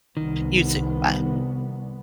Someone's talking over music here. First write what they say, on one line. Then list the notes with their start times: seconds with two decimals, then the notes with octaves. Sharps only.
You too. Bye.
0.17 C2 D#3 B3